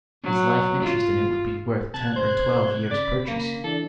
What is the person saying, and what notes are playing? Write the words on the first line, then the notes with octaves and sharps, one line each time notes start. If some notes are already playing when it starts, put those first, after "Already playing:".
His life-interest in it would be worth ten or twelve years' purchase.
F#3
F4
C3 A5 F#6 G#6
C5
C#3 D5 B5
A#3
E3 D4 A4